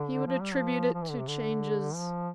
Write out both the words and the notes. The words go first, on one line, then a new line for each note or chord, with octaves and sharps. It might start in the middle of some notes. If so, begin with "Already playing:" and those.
"He would attribute it to changes . . ."
Already playing: D3
F3
G3
F3
F3
E3
D3
C3
D3
F3